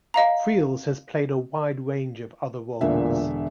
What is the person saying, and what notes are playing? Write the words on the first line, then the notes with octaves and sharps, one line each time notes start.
Friels has played a wide range of other roles.
D#5 F5 A#5
E1 A#2 D3 E5